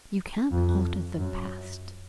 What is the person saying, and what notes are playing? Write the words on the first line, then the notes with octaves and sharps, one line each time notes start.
You can't alter the past.
F2
F#2